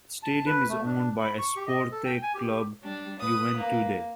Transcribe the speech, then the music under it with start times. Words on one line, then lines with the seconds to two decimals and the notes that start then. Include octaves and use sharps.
The stadium is owned by Esporte Clube Juventude.
0.23 A5
0.46 B4
0.69 A3
0.86 D4
1.19 B5
1.39 C#6
1.56 G4
1.68 D#5
1.92 A4
2.05 G5
2.23 G#5
2.35 G4
2.83 G3 D4
3.20 B4 D#6
3.57 A#3